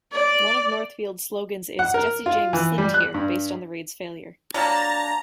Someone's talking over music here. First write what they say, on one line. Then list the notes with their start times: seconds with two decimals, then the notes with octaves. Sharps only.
One of Northfield's slogans is "Jesse James Slipped Here", based on the raid's failure.
0.12 D5
1.79 F#5
1.94 A#4
2.26 F4
2.53 E3
2.78 G3
2.94 F#6
3.14 G2
4.54 F#3 G3 A#3 D4 A5 A#5